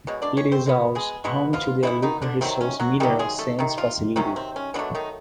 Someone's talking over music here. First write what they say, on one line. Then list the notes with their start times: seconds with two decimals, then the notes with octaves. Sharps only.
It is also home to the Iluka Resources mineral sands facility.
0.07 B2 G#3 C#5
0.22 D4 D5
0.37 C#4 C#5
0.52 C4 C5
0.66 B2 G#3 B3
0.95 G#3 G#4
1.24 B2 F#3 G#3 B3 F#4
1.53 F3 F4
1.83 B2 E3 G#3 B3 E4
2.02 D#3 D#4
2.22 D3 D4
2.41 C3 D#3 F#3 C4
2.61 C#4
2.80 F#3 F#4
3.00 C3 D#3 F#3 G3 G4
3.19 G#3 G#4
3.39 A3 A4
3.59 C3 D#3
3.77 F3 F4
4.16 C3 D#3 F#3 C#4
4.36 C4
4.56 C#4
4.74 B2 D3 F#3 A3 D4
4.95 D#3 D#4